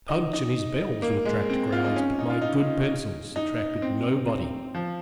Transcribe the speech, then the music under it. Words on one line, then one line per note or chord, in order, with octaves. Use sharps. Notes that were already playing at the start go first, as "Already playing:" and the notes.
Punch and his bells would attract crowds, but my good pencils attracted nobody.
D#4
D#4
A#3
G#3
C4
F4
D#4
C#4
D#4
F4
D#4
D#4
C4
F3